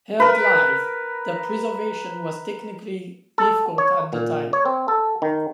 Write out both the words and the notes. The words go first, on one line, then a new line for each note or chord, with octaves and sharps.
Aired live, their preservation was technically difficult at the time.
A#4 B4
A4
C#5
A#2
C#5
C4
A4
D#3